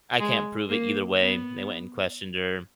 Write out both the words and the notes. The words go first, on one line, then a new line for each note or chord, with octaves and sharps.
I can't prove it either way, they went and questioned her.
G#3
A#3
B3